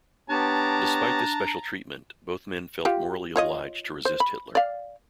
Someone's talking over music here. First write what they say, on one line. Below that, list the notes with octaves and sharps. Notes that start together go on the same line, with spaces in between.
Despite this special treatment, both men felt morally obliged to resist Hitler.
B3 D4 G4 C#5 A5 A#5
F4 G4
F4 C#5 D#5
C5
B5
D5 F5